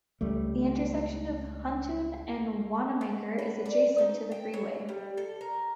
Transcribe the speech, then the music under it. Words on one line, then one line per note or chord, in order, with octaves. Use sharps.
The intersection of Huntoon and Wanamaker is adjacent to the freeway.
C#2 G3 A3
B3
B4
D5
D#4
G5
C#5
G3
A4
A#4